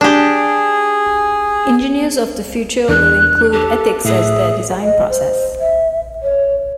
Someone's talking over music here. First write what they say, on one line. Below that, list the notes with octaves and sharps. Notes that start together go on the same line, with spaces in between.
Engineers of the future will include Ethics as their design process.
D4 G4 G#4
E2 D4 F#6
G4 A4
A2 G#4 E5
D#5
C5
E5
C#5